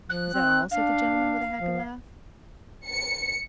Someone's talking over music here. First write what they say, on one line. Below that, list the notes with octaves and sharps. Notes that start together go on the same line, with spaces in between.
"Is that all?" said the gentleman with a happy laugh.
F3 F#6
C4
D4 F5
F3
C#7